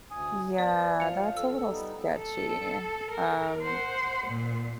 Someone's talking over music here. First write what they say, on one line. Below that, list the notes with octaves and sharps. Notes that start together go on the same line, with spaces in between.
Yeah, that's a little sketchy. Um,
D2 G#5 D#6
B3 D5 A5
F3 F5 C#7 F7
A4 E6
G3 B3 D#4
A4
A#4
C5 F#5
A#2